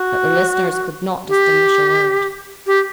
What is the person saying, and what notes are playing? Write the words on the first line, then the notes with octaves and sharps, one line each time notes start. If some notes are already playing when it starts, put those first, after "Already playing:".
But the listeners could not distinguish a word.
Already playing: F#4
G4
G4